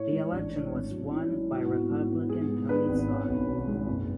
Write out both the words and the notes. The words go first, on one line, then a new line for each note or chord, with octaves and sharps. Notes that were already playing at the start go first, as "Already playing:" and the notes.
The election was won by Republican Tony Scott.
Already playing: A2 C#5
G#3
A1 D4
A2
G#1
F#3
C#4 E4
F#3
G#2 F#4
E4
B3 F#4
G#2
B3
G#2 G#4
G#3
D4 B4
G#1
C#4
B1
B2
G#3
F#1